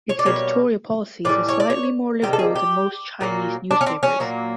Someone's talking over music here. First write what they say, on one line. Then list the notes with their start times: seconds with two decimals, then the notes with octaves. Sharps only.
Its editorial policies are slightly more liberal than most Chinese newspapers.
0.09 C#5
0.19 D5
0.26 B2 G3 A#3 C#5
1.25 A2 E3 G3 D5
1.49 C#5
1.60 D5
1.70 C#5
2.22 C3 D#3 G3 A#3 G4
2.33 A4
2.39 G#4
2.56 G4
3.21 A#2 F#3 A#3
3.71 D4
3.81 C#4
3.87 C4
4.03 C#4
4.20 A#2 F#3 A#3